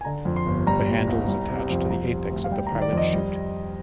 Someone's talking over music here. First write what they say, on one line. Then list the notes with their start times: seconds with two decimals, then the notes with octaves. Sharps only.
The handle is attached to the apex of the pilot chute.
0.01 G#5
0.05 D3 A#5
0.25 F2
0.36 C6
0.46 G1
0.67 G3 A#5
0.88 A#2
1.07 C2
1.28 G3
1.49 C3
1.70 F2
1.89 G3 A#5
2.10 C3
2.31 D2
2.44 F5
2.51 G3 G5
2.67 A#5
2.72 D#3
2.82 D5
2.93 F2 D#5
3.13 G3